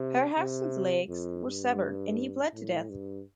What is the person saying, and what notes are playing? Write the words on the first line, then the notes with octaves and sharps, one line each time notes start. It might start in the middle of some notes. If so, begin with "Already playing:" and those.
Herrhausen's legs were severed and he bled to death.
Already playing: C3
C3
F2
G2
A2
G2